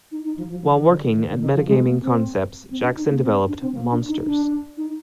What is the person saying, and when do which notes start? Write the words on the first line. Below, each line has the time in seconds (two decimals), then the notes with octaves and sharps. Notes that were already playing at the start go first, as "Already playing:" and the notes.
While working at Metagaming Concepts, Jackson developed Monsters!
0.12 D#4
0.25 D#4
0.37 F3
0.50 F3
0.63 D#3
0.76 D#3
0.89 D3
1.15 D#3
1.28 D3
1.41 D#3
1.54 F3
1.67 G#3
1.84 A#3
2.02 C4
2.71 C4
2.83 D4
2.96 D#4
3.10 A#3
3.23 C4
3.48 D4
3.61 C4
3.74 A#3
3.92 D4
4.08 D#4
4.26 D4
4.77 D#4